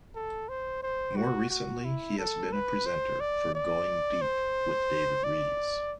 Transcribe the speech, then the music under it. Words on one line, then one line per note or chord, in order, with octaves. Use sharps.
More recently he has been a presenter for "Going Deep with David Rees".
A4
C5
C5
F#4
F#4
E4
A4
B4
C5
D5
D5
C5
D5